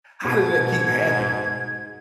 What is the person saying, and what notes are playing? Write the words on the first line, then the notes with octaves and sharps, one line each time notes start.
how does that keep happening?
G#2 B2 G#6